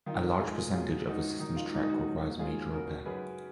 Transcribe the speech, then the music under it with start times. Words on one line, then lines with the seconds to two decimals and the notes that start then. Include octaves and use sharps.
A large percentage of the system's track requires major repair.
0.06 D#3 F4
0.40 G#2 F4 G#4
0.73 F#3 F4 G#4
1.06 G#2 D#4 F#4
1.39 D#3 D#4
1.56 F4
1.73 G#2 D#4
1.89 D#4 F#4
2.07 F#3
2.39 G#2 F4 G#4
2.73 C#3 F#4 A#4
3.06 F#2 G#4 B4